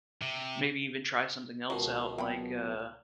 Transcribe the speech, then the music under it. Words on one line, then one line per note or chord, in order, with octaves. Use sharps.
maybe even try something else out like, uh
C3
C#2 B2 D#3 F#4
F#3 B3 C4 G5 B5